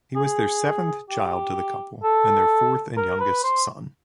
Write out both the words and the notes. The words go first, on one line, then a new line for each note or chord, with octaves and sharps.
He was their seventh child to the couple and their fourth and youngest son.
G#4
G4
A4
A#4
B4
C5